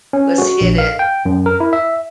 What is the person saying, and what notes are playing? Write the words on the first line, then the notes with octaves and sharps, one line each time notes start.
let's hit it,"
C#4
F#4
A#1
F5
G5
F#2
A#4
E4
E5